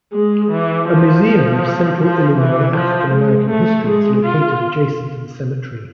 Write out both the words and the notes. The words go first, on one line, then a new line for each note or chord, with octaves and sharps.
A museum of Central Illinois African-American history is located adjacent to the cemetery.
G#3
E3
F3
F3
F3
E3
F3
G#3
A3
G#3
F4